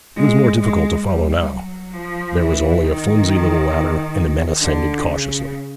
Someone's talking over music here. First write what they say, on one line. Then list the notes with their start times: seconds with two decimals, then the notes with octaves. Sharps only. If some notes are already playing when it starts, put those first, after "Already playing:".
It was more difficult to follow now; there was only a flimsy little ladder, and the men ascended cautiously.
0.15 G#3
0.59 G#3
1.04 G3
1.49 F#3
1.93 F3
2.38 E3
2.83 D#3
4.61 D3
5.05 C#3